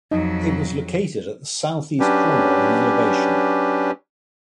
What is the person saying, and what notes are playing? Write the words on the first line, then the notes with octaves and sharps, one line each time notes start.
It was located at the southeast corner on an elevation.
F2 F#3 D#4 D#5
F#3 C#4 D4 G4 B4